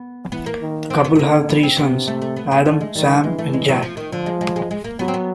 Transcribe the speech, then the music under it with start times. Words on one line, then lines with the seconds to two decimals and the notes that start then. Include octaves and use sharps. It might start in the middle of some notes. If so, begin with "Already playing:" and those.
The couple have three sons: Adam, Sam and Jack.
Already playing: B3
0.32 E3 B3
0.46 A#3
0.61 D#3
0.90 C4
1.05 B3
1.15 A3
1.19 D3 A#3
1.49 B3
1.63 C4
1.78 C3 B3
2.08 A3
2.22 A3
2.36 B3
2.51 B3
2.65 D3 A3
2.81 G#3
2.95 D#3 G3
3.24 E3 G#3
3.39 A3
3.53 G#3
3.68 F#3
3.82 F3
3.97 D#3
4.11 D3 F3
4.26 G#3
4.41 G#3
4.56 G#3
4.71 G#3
4.84 A#3
4.99 F#3 B3
5.08 C4
5.14 B3